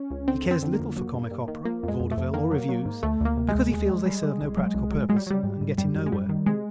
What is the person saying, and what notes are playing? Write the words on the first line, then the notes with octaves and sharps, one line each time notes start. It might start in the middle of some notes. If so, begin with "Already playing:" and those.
He cares little for comic opera, vaudeville or revues because he feels they serve no practical purpose and get him nowhere.
Already playing: C#4
C#2
D3 C4
F2
C4
D3
A#3
F2
F#3
G2
G2
D#3
F3 A#3
F2
G#3
F2
A3
F2
D#3 A#3
F#3
F#3
G#2
D2 A3
D2 A#3
C3
G#3
D2
D#2
G3
G3
G3
C2
F#3
C2
F#3
F#3 G#3
G3
F#3 G3
G#2
G#2
F#2 G3
F#2
G#3
F#2 G3
D#3
C3 G#3